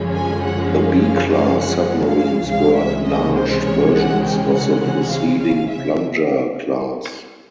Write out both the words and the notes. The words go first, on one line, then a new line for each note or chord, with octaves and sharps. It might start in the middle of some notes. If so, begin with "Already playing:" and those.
The B-class submarines were enlarged versions of the preceding "Plunger" class.
Already playing: F#2 D3 F3 G#3 C#4
G#5
F#5
F5
F5
F5
F#5
F5
C#2 C3 E3 G#3 C#4 F5
E5
D#5
C5
C#5
F#5
G5
F#5
F#5
F5
F5
E5